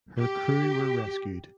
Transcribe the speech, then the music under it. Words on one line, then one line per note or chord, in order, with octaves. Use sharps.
Her crew were rescued.
G4